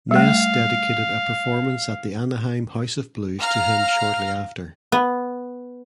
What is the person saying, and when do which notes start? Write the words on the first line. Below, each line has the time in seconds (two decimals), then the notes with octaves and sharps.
Ness dedicated a performance at the Anaheim House of Blues to him shortly after.
0.11 G3 A3 F5
3.39 F5 A#5 F6
4.92 B3